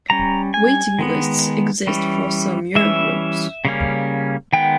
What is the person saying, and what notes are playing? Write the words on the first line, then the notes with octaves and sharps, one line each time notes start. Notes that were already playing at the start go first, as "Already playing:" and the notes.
Waiting lists exist for some year groups.
G3 C#4 A#5
G#5
D#3 G#3 B3
E3 G3 C#4
E3 G3 C#4 E5
C#3 G3 A#3 C#4
D#3 G#3 B3 G5